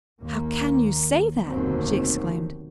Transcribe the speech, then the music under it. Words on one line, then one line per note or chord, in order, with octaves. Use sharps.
"How can you say that?" she exclaimed.
D#2 A#3
F1 D#2 B2 D3 F#3 C4